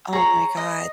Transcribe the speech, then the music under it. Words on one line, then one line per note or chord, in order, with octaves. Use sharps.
Oh my god.
G#4 C#5 A#5
D#5